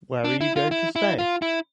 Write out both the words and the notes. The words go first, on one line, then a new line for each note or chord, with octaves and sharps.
Where are you going to stay?
D4
E4
F4
E4
E4
F4
E4